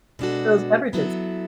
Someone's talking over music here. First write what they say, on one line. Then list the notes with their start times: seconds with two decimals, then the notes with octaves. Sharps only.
those beverages.
0.19 B2 G#3 D4 F#4 A4
0.93 F#3 B3 E4 A4